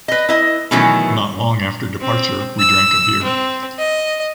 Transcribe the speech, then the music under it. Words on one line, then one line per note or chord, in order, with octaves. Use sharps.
Not long after departure, we drank a beer.
B4 D#5
E4 D#5
B2 D#3 E3 F#3 A3 C#4
C4
E6
C4
D#5